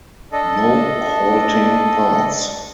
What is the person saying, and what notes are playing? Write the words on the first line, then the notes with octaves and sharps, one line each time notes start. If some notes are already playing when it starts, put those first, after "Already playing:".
No halting parts.
D4 A4 D#5